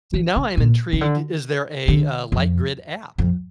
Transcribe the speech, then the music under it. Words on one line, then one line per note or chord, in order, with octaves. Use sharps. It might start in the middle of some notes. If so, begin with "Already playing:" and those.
See, now I'm intrigued. Is there a, uh, LightGrid app?
E3
C#3
A#2
C#3
D3
D3
F2
F2